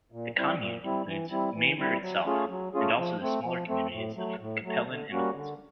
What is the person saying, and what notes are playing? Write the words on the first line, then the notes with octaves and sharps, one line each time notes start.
The commune includes Mamer itself, and also the smaller communities of Capellen and Holzem.
A#2
G3 C4 E4
A#2
G3 C4 E4
E3
G3 C4 E4
E3
G3 C4 E4
F#3
A3 C#4 F4 G#4
F#3
A3 C#4 F4 G#4
F3
A3 C4
F3
A3 C4
A2
F#3 A3
A2
F#3 A3
D3
G3 A#3 C#4 F#4
D3